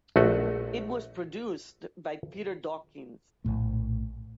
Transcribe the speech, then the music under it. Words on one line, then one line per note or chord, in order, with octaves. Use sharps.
It was produced by Peter Dawkins.
A#1 A3 F#4 D#5
A#1 F#2 A2 A3